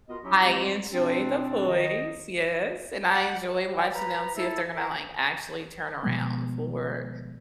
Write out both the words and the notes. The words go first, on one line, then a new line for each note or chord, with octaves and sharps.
I enjoy The Voice, yes, and I enjoy watching them see if they're gonna, like, actually turn around for,
B3 F4 F#4 A#4 D#5
F#3 C#4 D#4 E4 F#4 G4
G#3 C4 G4
B2 C4 D4
D#3 D#5
F#5
D5 G5
B4 A#5 B5
E4 A4 B5
A#4 E5 F5
B2 D#3 F3 G3 G#3 B3